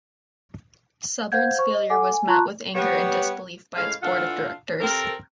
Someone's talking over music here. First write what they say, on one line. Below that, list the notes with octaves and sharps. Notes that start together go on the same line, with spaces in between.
Southern's failure was met with anger and disbelief by its board of directors.
C5 F5 F#5 G6 G#6
C5 C#6
D#5
A4 F#5 G#5 D6
G#5
F4 A5 A#5 C6 C#6 F#6
G3 B3 C#5
A2 G#3 C#4 F5
E3 D4 F4 A4 F5 F#5
C3 C4 A4 A#4